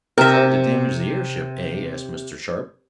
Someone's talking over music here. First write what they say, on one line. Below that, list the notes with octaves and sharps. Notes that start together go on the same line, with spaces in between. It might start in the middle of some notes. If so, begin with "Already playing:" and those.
"Tried to damage the airship, eh?" asked Mr. Sharp.
C3 A#4 E5